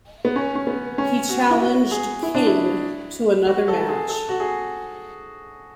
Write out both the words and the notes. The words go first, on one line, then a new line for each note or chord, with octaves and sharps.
He challenged King to another match.
B3
C#4
C#4
B3
C#4
F#4
E4
F#4
G#4
E4
D4
E4
F#4
A4
G#4
A4
F#4
G#4